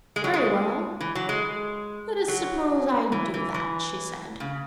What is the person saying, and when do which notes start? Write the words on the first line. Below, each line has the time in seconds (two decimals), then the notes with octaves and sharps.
"Very well, let us suppose I do that," she said.
0.16 G#3
0.24 F#3
0.34 G#3
1.01 E3
1.15 F#3
1.29 G#3
2.28 F#3
3.12 E3
3.34 E3
3.54 E3
4.40 C#3